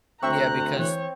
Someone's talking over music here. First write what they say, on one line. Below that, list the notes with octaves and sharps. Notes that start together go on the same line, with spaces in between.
Yeah, because,
D2 C4 E5 A#5 C#6 F#6
E3 C#5